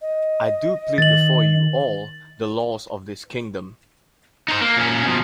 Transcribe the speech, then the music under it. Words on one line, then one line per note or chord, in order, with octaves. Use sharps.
I do plead before you all the laws of this kingdom.
D#5
D#3 A6 F#7
D#4 C5
A#3
A#2 C#4
B2 F3